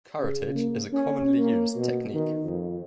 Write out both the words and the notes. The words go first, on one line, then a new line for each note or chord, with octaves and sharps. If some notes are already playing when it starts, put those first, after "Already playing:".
Curettage is a commonly used technique.
C#3
A#3
C#4
A#3
B2
D#3
F2